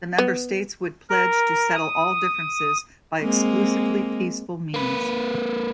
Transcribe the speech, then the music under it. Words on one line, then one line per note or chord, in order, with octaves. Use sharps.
The member states would pledge to settle all differences by exclusively peaceful means.
B3
A#4
D#6
G#3 A#3 C4
A#3 B4